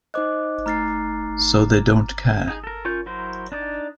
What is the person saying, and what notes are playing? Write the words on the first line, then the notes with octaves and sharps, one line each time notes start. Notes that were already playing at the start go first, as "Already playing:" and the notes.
So they don't care.
D#4 C5 D#5 D6 F#6
A3 D#4 A#5 F6 A6 C7
D#4 G#4
A4 A#4
C#4 F4 A#4 C#5 G6
F#3 E4 A#4 C5
D4 D#4 D5